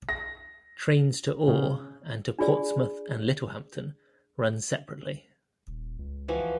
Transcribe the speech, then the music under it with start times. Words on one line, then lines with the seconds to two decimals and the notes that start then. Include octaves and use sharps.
Trains to Ore and to Portsmouth and Littlehampton run separately.
0.09 A#6
1.48 C#3
2.39 D4 F4 G#4 D5
5.67 D#1
5.99 C#2
6.28 E3 F3 F#4